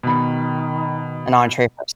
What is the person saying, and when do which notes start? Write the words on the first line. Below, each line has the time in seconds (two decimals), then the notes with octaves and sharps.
an entrée first.
0.03 B2 D#3 B5